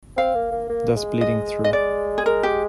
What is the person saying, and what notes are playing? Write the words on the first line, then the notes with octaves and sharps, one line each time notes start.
Thus Bleeding Through.
C4 F5
A#3
A#3
A#3
G#3
D#5
D#5
D5
G#4
G#3 A#4
G4